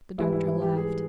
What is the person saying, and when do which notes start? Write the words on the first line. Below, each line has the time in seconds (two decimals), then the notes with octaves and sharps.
The doctor laughed.
0.18 G#2 E3 G3 E4
0.33 E4
0.47 E4
0.62 G4
0.77 G#4